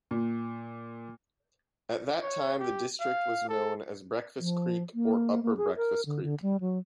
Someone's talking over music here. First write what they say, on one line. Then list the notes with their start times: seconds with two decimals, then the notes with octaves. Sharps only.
At that time the district was known as Breakfast Creek or Upper Breakfast Creek.
0.11 A#2
2.22 C#5
2.59 G4
3.00 F5
3.49 A4
4.40 F3
4.94 A#3
5.43 A#3
5.57 G#4
5.77 A#4
6.06 D3
6.23 D3
6.42 G3
6.60 F#3